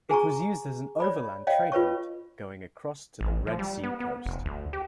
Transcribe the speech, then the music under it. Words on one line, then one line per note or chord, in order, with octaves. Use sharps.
It was used as an overland trade route going to the Red Sea coast.
G#4 G#5 A#5 C#6
C#5 D5 B5
C#5 D#5 F5 G5
F4 B4 C#5 C#6
A1
F3
G3
B3
B3
F1
D2
G4